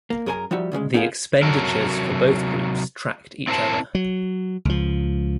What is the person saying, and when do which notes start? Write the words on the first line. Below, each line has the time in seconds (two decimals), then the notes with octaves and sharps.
The expenditures for both groups tracked each other.
0.10 A#3
0.26 F#2 G#4 A#4 B4 G#5 A#5
0.51 F3 G3 D#4 F#4 E5
0.72 D2 C#3 F3 G#3
0.94 B3 D#4 F4 G#4 A#4 F5
1.43 C3 F#3 F#4 A4 A#4
3.47 C4 E4 A#4 C5 A5
3.95 F#3
4.65 C#2 F3